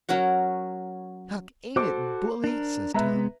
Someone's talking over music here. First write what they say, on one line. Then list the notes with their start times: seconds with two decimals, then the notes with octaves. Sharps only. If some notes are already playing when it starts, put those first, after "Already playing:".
"Huck, ain't it bully!" says Tom.
0.09 F#3 C#4 A#4 F#5
1.76 F#4 A4 C5 D6
2.44 D4 A#4
2.94 G#3 B3 B4 E5 A#5